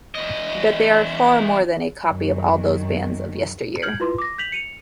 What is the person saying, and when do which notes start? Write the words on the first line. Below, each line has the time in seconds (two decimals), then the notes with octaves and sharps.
But they are far more than a copy of all those bands of yesteryear.
0.15 E2 D#5
2.07 F#2 D#3
3.82 F6 G6 G#6 F#7
4.00 E4 F4 B4 C6
4.18 D6 A#6
4.38 G6 B6 F7 F#7
4.52 C#7 D#7 F7